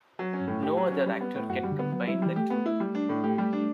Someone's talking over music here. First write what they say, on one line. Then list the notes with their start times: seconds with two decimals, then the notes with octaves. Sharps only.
No other actor can combine the two.
0.19 F#3
0.33 C#4
0.40 G2
0.47 A2
0.63 G4
0.77 F#3
0.91 C#4
1.06 G3
1.21 B3
1.35 A2
1.49 F#2 F#4
1.63 G3
1.71 D3
1.79 B3
1.92 F#3 B3
2.07 G3 E4
2.15 F#3
2.22 E3 G3
2.36 A3 G4
2.50 B3
2.66 E4
2.80 G3
2.95 D4
3.09 A2
3.24 A3 G4
3.38 G3
3.53 D4